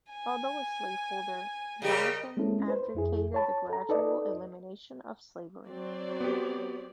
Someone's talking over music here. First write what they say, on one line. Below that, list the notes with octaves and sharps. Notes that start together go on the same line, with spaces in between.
Although a slaveholder, Doniphan advocated the gradual elimination of slavery.
G#5
C#3 G3 G4 A#4 D#5
G#3 A#3 C4 C#4 E4 A4
B4 C5
F2 E4 G#4
C#5 A5 B5
A4 A#5
D#4 A4 B4 D5 D#5
F#3 C4 D5
B3 G4